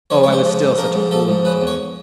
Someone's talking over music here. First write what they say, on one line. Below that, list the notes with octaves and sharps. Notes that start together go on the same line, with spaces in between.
Oh, I was still such a fool then....
F3 C#5
G#2 C#5
C5
F3
G#2
F3 A#4
G#2
F3 A4
G#2
C#3 B4
E2
C#5